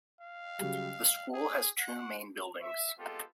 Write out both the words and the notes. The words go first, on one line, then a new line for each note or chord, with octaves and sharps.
The School has two main buildings.
F5
C#3 F#3 G3
F7 F#7
G#4
F#5
E5
G#3 B3 C4 F4 G4 A4